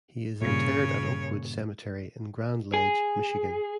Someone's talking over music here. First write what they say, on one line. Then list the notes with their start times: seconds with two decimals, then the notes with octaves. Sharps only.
He is interred at Oakwood Cemetery in Grand Ledge, Michigan.
0.41 G2 A#2 C#3 C#5
2.74 G#4